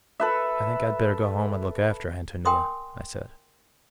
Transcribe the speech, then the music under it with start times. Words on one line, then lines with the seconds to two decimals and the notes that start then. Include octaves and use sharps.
"I think I'd better go home and look after Antonia," I said.
0.20 A4 B4 E5
2.45 A#4 G5 G#5 C6 D#6